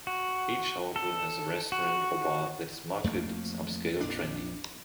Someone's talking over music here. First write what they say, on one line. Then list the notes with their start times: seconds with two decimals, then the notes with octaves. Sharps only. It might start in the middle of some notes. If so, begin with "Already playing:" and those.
Each hotel has a restaurant or bar that is marketed as upscale or trendy.
0.07 F#4
0.96 A4
1.72 F#4
3.04 F2 A3 A#3
4.01 A#1 F2 D4